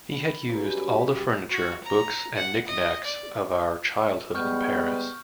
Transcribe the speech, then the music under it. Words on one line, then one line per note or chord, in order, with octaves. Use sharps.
He had used all the furniture, books and knick-knacks of our childhood in Paris.
B5
G2 C#3 F#3
B5
G4
F#4
A#5
F#5
D#5
D5
G3 G#3 B3 C#6 F6 G6